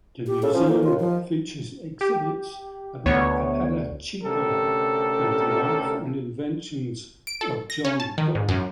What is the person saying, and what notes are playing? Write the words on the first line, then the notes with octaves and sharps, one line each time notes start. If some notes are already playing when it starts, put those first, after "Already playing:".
The museum features exhibits about Apalachicola and the life and inventions of John Gorrie.
G4
C#3 A4
F3 C#4
D2 A#3
D#2 F4
F3
G4
D2 B3 C#5
D2 C3 C#4 G4 A4 A#4
D7
A4
A#6
C#4
A5
D#3
G#2
F#2